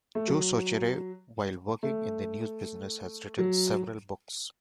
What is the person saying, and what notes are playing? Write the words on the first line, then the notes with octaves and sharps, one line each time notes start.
Joe Soucheray, while working in the news business, has written several books.
A3
F#3
A3
F#3